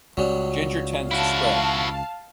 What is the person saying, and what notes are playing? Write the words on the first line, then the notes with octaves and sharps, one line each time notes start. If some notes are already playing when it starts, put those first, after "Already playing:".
Ginger tends to spread.
C#2 F#3 G3
E4 F#4 F5 A5